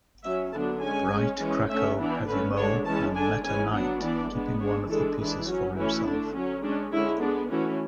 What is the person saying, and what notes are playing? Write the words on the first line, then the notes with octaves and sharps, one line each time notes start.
Bright, Kracko, Heavy Mole, and Meta Knight, keeping one of the pieces for himself.
F#3 C#4 E5
D3 F#3 B3 D4 A5
G#3 C#4 G#5
G#3 C#4
E3 G#3 C#4
D3 A3 C#4 E5
E3 B3 D4
D3 A3 C#4 B4
D3 G#3 D4 C#5
E3 G#3 C#4 A5
D3 G#3 D4 G#5
E3 G#3 C#4 G#5
F#3 B3 D4 F#5
E3 B3 D4 D5
G#3 B3 D4
G#3 D4 C#5
E3 G#3 D4 A4
E3 G#3 D4 G#4
F#3 C#4 F#4
E3 A3 C#4 E4
D3 A3 D4
F#3 C#4
G#3 C#4 D4
D3 G#3 C#4 E4
G#3 B3 D4
E3 A3 C#4 F#4